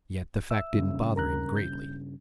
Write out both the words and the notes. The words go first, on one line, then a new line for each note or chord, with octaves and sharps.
Yet the fact didn't bother him greatly.
E5 E6
G2 C#3
A#4 A#5 F#6
G6